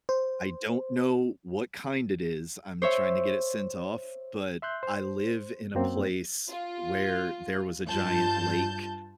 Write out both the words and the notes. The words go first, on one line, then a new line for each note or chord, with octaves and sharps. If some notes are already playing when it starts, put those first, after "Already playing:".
I don't know what kind it is. I'm trying to get it sent off, but I live in a place where there was a giant lake.
C5
C5 C#5 E5
E5 C6 F#6 G6
C5
F#2 F#3 A#3 C4
F4
G2 F4 A5 G6